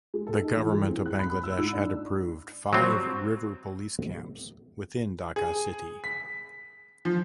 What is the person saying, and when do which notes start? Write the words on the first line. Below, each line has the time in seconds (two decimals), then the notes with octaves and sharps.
The government of Bangladesh had approved five River police camps within Dhaka city.
0.14 G#3
0.27 A4
0.41 D#4
0.57 E3
0.72 G#3
0.90 C4
1.06 F#6
1.19 B5
1.44 E6
1.58 G#2
1.73 D4
2.73 F#3 G3 C4
5.36 G#4
6.04 B6
7.05 F3